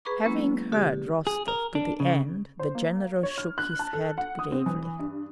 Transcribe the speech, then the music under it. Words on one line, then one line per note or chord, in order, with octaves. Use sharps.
Having heard Rostov to the end, the general shook his head gravely.
G#4 B4 A#5 B5 C#6 D6
F#3 G#3 A#3 B3 C#4 E4
B2 D3 G4 G#4
G#4
A#4
D4
C#3
C5
A#3
C#5
F6
F#6
A5
A4
F#5
D#6
C4
E3
G2